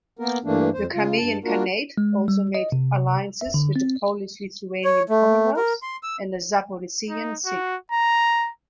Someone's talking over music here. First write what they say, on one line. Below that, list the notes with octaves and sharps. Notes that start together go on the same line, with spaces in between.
The Crimean Khanate also made alliances with the Polish-Lithuanian Commonwealth, and the Zaporizhian Sich.
A#3 B3 A#4
G2 E3 A3 A#3 D4
F2 C5
C#3 F4
G2 A5
A#3 D4 F4 F#4 A#4
G#3
G3
D#5
C3
E5
D3
C4
C#5
A3
A#4
C6
E6
D#4
F#4
A#5